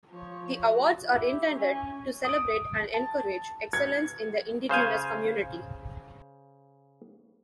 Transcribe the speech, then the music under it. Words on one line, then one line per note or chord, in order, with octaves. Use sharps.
The awards are intended to celebrate and encourage excellence in the Indigenous community.
F3 C#5
F#4
E4 G4
C#4 G#5
D#6 D7
A5
G#6 C#7
C#3 C5 F5 G#5